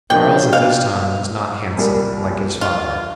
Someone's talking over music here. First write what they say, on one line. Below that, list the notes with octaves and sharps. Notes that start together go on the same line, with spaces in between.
Charles at this time was not handsome, like his father.
A#2 F3 D4 F4 G5
F5
C2 A#2 G3
F4